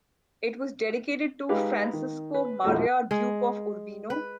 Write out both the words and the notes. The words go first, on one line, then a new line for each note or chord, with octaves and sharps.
It was dedicated to Francesco Maria, Duke of Urbino.
G#3 D#4 G4 B4 F5
D#3
B4
A#1 E2 F3 G#3 A3 F#4
G#3
B4